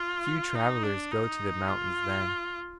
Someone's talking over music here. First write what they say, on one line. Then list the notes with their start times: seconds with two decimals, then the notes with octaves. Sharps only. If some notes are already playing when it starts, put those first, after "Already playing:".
Few travellers go to the mountains then.
Already playing: F4
0.55 D#4
0.83 D4
1.11 D#4
1.68 F4